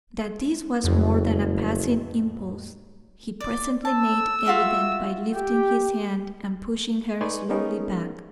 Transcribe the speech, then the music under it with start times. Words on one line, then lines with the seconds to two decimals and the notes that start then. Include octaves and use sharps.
That this was more than a passing impulse he presently made evident by lifting his hand and pushing her slowly back.
0.84 F#1 F2 A2 G#3
3.40 D5
3.85 A5 E6
4.46 F4 F#4 E5
5.34 G4 G5
7.21 D#4 B4 D5 G#5 C6 C#6
7.49 A3 B3 C#4 D#4 G#4 A#4